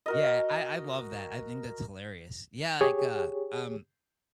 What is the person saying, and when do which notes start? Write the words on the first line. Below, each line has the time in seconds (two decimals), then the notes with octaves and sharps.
Yeah, I I love that, I think that's hilarious. Yeah, like, uh, um
0.06 F#4 A#4 D#5
2.81 G4 G#4 C#5